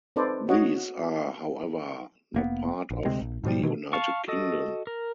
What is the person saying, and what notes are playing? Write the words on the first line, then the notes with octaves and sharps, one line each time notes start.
These are however not part of the United Kingdom.
C4 D#4 A4 B4 C5 D5
F#4 C#5 D#5 F#5
F1 A#3 B3
A#1
D2 C3 G#3 C4
A#1
G#2 B2 F3 G3
B2 D#3 E3 G#3
F5 A5 C#6
F#4 A4 D#5
A#4